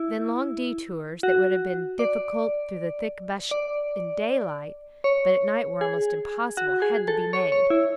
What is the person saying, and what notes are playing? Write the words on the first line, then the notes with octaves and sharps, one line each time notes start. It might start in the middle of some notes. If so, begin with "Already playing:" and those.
Then long detours, that would have been difficult through the thick bush in daylight, but at night were almost impossible, had to be made.
Already playing: E4
F#4
D5
D5
C#5
G#4
F#4
G#4
A4
C#5
C#5
E4